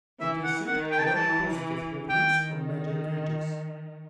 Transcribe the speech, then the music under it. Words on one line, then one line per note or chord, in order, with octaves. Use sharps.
It received very positive reviews from media critics.
E3 E5
F#5
D#3 F#5
G5
A5
G5
E3 A5
D#3 G5